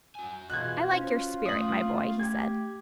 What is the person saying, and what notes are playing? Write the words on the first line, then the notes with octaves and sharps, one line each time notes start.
"I like your spirit, my boy," he said.
F#4 G#5
B2 E3 F4 G#4 F#6 G#6
C#4 C5
A3 D#6 F#7
G4 G#6